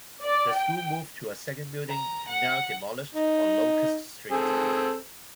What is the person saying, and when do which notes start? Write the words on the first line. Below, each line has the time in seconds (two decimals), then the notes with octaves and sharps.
The school moved to a second building, now demolished, on Locust Street.
0.23 D5
0.55 G5
1.89 A#5
2.28 F#5
3.15 D#4
4.31 C4 G#4 A4